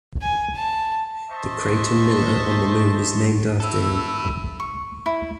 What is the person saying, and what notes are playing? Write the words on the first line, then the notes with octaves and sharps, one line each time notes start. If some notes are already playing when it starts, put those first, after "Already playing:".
The crater Miller on the Moon is named after him.
G#5
A5
C5 D#5 E5 A5 C6 C#6
E4 A4 E6
C#6
E4